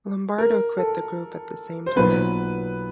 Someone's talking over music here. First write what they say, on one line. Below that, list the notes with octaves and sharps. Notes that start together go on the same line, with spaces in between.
Lombardo quit the group at the same time.
A#4
A4
C5
B1 A#2 F#3 B3 B4